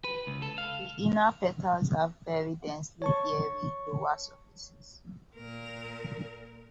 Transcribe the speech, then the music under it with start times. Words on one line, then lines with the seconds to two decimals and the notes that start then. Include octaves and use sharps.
The inner petals have very densely hairy lower surfaces.
0.04 B4
0.27 C#2
0.42 A4
0.58 F5
3.02 C#5 A5 C#6
5.36 A#2 A#4